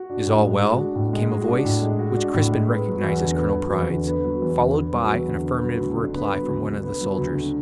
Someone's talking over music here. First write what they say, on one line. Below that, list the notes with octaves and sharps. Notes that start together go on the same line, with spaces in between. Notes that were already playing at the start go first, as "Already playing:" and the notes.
"Is all well?" came a voice, which Crispin recognized as Colonel Pride's, followed by an affirmative reply from one of the soldiers.
Already playing: F#4
D4
A2
G#3
F#4
D4
A2
G#3
F#4
D4
A2
G#3
F#4
D4
A2
G#3
B3
F#3
E2
D3
B3
F#3
E2
D3
B3
F#3
E2
D3
B3
F#3
E2
D3
B3
F#3
D2
D3
B3
F#3
D2
D3
B3
F#3
D2
D3